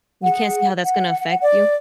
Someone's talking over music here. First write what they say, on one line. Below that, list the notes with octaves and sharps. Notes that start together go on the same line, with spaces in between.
you can't see how that's gonna affect you?
G#4 F#5
F#5
D5